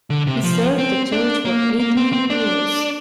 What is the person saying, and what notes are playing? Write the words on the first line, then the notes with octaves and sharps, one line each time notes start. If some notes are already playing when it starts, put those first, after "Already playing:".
He served the church for eighteen years.
D3
C3
F3
C4
D4
A#3
A#3
C4
C4
D4